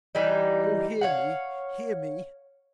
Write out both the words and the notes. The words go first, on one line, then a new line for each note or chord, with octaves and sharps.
Oh, hear me! hear me!
E3 G3 D#4
C#5 F5 F#5